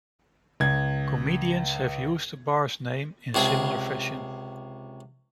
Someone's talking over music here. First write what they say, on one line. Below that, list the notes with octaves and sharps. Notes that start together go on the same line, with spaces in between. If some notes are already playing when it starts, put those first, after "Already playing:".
Comedians have used the bar's name in similar fashion.
C#2 G#6
C#2 C3 G#4